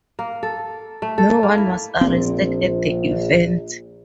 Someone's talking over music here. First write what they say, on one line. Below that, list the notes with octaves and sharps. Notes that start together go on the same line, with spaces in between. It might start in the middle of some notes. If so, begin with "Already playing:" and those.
No one was arrested at the event.
A#3
A4
A3
A4
A#3
E4
A#1 C4